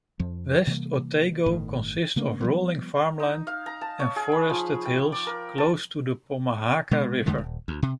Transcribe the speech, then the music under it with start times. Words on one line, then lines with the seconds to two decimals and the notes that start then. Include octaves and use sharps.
West Otago consists of rolling farmland and forested hills close to the Pomahaka River.
0.20 F2 F3
0.67 C3 E3 G3 A#3
1.46 G1 A2 D#3
2.16 C#3 A3 A#3 C#4
2.41 F3 G3 B3
3.20 D#4
3.47 F5
3.66 A#5
3.81 A5
4.00 C#5
4.16 G#4
4.32 B5
4.50 F3
4.85 G5
5.12 D5
5.27 A#4
5.58 A5
6.91 B2 G#3
7.26 E2 D3 G#3 A3
7.38 D#1
7.68 D2
7.82 C3